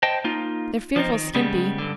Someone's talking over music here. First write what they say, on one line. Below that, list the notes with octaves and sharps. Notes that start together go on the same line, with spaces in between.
They're fearfully skimpy.
C5 D#5 G5 A5
A#3 D#4 F4
F3 C4 D#4
D#3
C#3 G3 G#3 B3
G2 D3